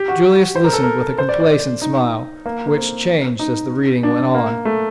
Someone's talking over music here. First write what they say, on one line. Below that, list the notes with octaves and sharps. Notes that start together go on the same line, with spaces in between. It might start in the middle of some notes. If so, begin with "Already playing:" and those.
Julius listened with a complacent smile, which changed as the reading went on.
Already playing: G4
F#4
C5
A#4
A4
A#4
C5
D5
D5
D#4
A#3
A#3
C4
D#4
D4
A#3
A3